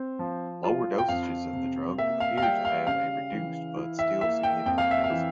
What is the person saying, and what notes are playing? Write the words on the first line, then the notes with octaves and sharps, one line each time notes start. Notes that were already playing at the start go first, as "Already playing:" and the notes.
Lower dosages of the drug appear to have a reduced but still significant risk.
Already playing: C4
F3
F4
G5
F2 F5
C3
A#3 E5
F5
F5
G3 G5
F5
C#3 F5
E3
E4
E5
A#3 E5
G5
F2 G5
F5
E5
F5
E3